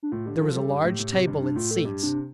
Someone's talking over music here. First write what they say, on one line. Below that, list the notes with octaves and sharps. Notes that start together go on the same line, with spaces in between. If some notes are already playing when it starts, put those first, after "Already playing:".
There was a large table and seats.
D4
A2 F4
D3 G4
F3 A4
G3 A4
G2 G4
A2
A2
C3
G2
D4
A2 F4
A4
G2 G4
C3 D4